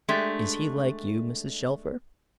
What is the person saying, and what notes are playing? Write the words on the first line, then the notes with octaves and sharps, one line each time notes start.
"Is he like you, Mrs. Shelfer?"
G#3 A3 D4 G4